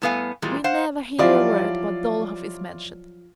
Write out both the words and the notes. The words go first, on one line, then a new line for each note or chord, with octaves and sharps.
We never hear a word but Dolokhov is mentioned.
A2 G3 B3 A4 F5 G#5
A#2 E3 G3 G#3 A#3
C5 F5 F#5
F3 F#3 E4 F4 G4 D5